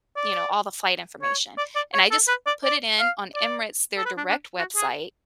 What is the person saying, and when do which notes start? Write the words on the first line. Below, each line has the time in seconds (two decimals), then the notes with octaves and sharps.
you know, all the flight information. And I just put it in on Emirates, their direct website,
0.16 D5
1.23 C#5
1.58 D5
1.76 D5
1.94 C#5
2.11 A4
2.28 B4
2.47 D5
2.64 D5
3.00 F5
3.35 D5
3.97 A4
4.06 B4
4.17 D4
4.30 D4
4.59 F#4
4.76 G#4